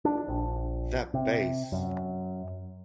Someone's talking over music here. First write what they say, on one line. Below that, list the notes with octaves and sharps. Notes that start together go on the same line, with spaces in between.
That bass!
D4
A#1
C3
F#2